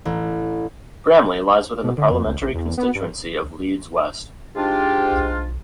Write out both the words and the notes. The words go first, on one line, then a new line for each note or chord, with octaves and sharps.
Bramley lies within the Parliamentary constituency of Leeds West.
A1
B2
D3
F2
C#2
A1
E2
B3
G2
G#2 D4 F4 G4
B1